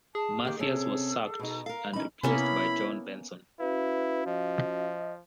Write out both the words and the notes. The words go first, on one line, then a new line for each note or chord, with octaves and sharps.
Mathias was sacked, and replaced by John Benson.
G#4 A5
D#3 A#3 G4
C3 C4 C#4 A4
B2 D#4
A4 A#4 F5
E3 C#4 D#4 B5
C3 A#3 B3 C#4 E4 B5
C#4 E4 F#4 B4 F5
F3 D#5